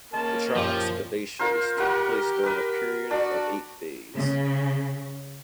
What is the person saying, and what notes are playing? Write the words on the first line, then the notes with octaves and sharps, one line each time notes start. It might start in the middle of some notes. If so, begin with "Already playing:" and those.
The trial excavations took place during a period of eight days.
A#3 C#4 G#4 D#5 A5 C6
F#2 A#2 F3 G4
F4 A#4 C5
G4 A#4 F#5 C#6
A#4 B4
D4 F#4 D5
C#3